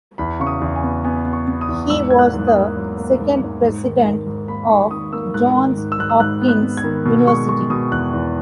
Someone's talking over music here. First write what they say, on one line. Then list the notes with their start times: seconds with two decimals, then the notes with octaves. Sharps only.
He was the second president of Johns Hopkins University.
0.18 E2 B5
0.40 C#3 C#6
0.47 D#6
0.62 E2
0.76 G#5
0.83 B3
1.04 B3 G#5
1.25 B3
1.33 C#6
1.48 B3
1.61 D#6
1.69 E2
1.90 G#2 E6
2.11 A#3 G#6
2.19 F#6
2.33 G#2
2.47 D#6
2.55 A#3
2.76 F#3
2.97 A#3
3.19 G#2
3.41 G#2
3.62 G#2
3.84 D#3
4.05 D#3
4.27 G#2
4.48 A#3 B5
4.69 G#2 C#6
4.91 D#3 D#6
5.13 A#3 E6
5.34 G#2 F#6
5.55 D#3
5.77 G#2
5.92 E6
5.98 G#2 F#6
6.10 E6
6.20 G#2 F#6
6.42 B3
6.48 F#6
6.63 B3
6.77 G#6
6.84 D#3
7.06 B2
7.27 G#3 C#6
7.49 G#3 C#6
7.70 B2 D#6
7.91 E2 F#6
8.13 E2